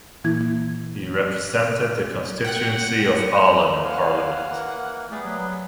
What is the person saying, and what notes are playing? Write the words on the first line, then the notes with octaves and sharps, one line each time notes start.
He represented the constituency of Aalen in parliament.
A#2 E3 A#3 E4 G#6
F#5 G5 F#6
F5 F#5 G#5
E3 A#3 A#4
G3 A3 B3 G#4
F#3 B4